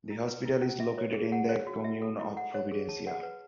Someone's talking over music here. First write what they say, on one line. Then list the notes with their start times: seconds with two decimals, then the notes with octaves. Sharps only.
The hospital is located in the commune of Providencia.
0.10 E4
0.27 B4
0.45 E4
0.62 C#4
0.80 E5
0.98 C#5
1.14 G#4
1.32 F#5
1.49 C#5
1.67 F#4
1.84 E5
2.02 A4
2.19 E4
2.37 F#5
2.54 C#5
2.71 G#4
2.89 A5
3.07 F#5
3.23 B4